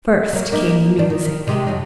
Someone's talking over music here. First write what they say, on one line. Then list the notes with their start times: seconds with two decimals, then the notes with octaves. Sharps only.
First came the music.
0.33 F#3 A#3
0.52 A#3 D#4 E4
0.98 D#3 D4
1.10 D#3
1.47 C3 G#3 G4
1.67 F2 F#3 D#4